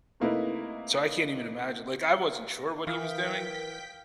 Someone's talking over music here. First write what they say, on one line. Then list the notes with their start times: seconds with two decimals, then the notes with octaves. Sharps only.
So, I can't even imagine like I wasn't sure what he was doing,
0.20 C3 A3 A#3 D#4 E4 B4
2.87 E3 A#4 F5 G5 D6 D#6 B6